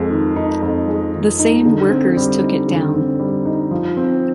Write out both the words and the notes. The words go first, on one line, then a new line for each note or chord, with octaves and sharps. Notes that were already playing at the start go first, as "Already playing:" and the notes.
The same workers took it down.
Already playing: F2 G#3
D#3
D#4
F2
G#3
D#3
D#4
D3
C4
G3
D#4
D3
C4
G3
D#4
F3
C4